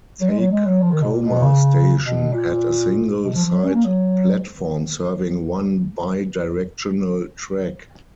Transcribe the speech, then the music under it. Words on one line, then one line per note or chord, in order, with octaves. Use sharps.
Takekoma Station had a single side platform serving one bi-directional track.
F#3
G#3
F#3
G#3
F#3
F3
D#3
B2
A#2
B2
C#3
B2
A#2
B2
F3
F3
F#3
C#4
A#3
F#3